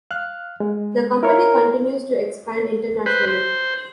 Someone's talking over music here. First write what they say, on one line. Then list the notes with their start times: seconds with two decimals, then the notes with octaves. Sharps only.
The company continues to expand internationally.
0.11 F5 F6 F#6
0.60 G#3
1.23 E4 A#4 C#5 F5
3.06 B4 C5
3.28 C5